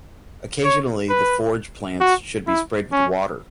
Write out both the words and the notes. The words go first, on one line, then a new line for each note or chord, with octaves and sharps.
Occasionally the forage plants should be sprayed with water.
C#5
B4
F#4
E4
C#4